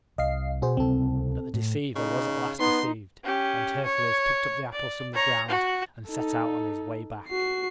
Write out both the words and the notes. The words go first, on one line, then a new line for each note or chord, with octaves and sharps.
But the deceiver was at last deceived, and Hercules picked up the apples from the ground and set out on his way back.
C2 D#5 F5 C7
B2 F#4 G#4 C5
C#2 C3 C4 A4
A2
C#3 D#4
B3 D#4 C6
C#4 G4
C#5
D5
C#5 A#5
F#4
D#4 A4
F#4 C7